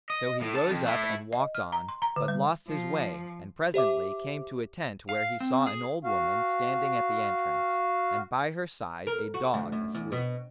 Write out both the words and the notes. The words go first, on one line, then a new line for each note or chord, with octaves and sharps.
So he rose up and walked on, but lost his way and presently came to a tent, where he saw an old woman standing at the entrance and by her side a dog asleep.
D#5
A2
D3 A5
F2
A3 E4
D#5
F6
A#5
C6
A#5
D3
G3
F3
G4 C5 E5 D6
F5
C4
G#4
F#4 F5
A#4
F#4
D2
F#2
E2
B2